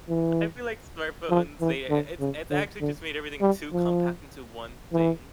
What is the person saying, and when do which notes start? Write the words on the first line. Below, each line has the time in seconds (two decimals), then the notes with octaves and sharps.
I feel like smartphones, they, uh i it's it's actually just made everything too compact into one thing.
0.09 E3
1.30 F3
1.61 E3
1.90 D3
2.20 C#3
2.51 D3
2.81 D3
3.41 G3
3.72 F3
4.92 E3